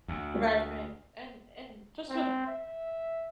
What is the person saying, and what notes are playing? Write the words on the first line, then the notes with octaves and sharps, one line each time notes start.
Right right, and and just with
D2
C4
E5